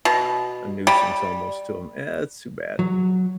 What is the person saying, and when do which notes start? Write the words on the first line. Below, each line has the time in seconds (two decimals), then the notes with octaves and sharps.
a nuisance almost to him. Eh, that’s too bad.
0.05 B2
0.87 G3
2.79 F#3